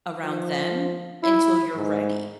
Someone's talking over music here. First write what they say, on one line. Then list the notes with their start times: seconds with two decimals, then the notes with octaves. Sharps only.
around them until you're ready.
0.22 F3
1.23 E4
1.76 G#2